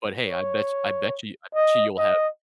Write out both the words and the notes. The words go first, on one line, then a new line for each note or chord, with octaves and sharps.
But hey, I bet I bet you I bet you you'll have
C#5
D#5
D#5